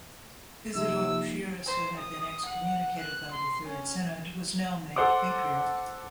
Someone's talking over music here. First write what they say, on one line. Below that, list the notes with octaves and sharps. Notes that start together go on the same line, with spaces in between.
Isidore Buchiras, who had been excommunicated by the third synod, was now made patriarch.
C3 F3 A#3 D#4 E6
C5
D#6
F#5
F#6
C6
C#4
A4 C5 F#5 D6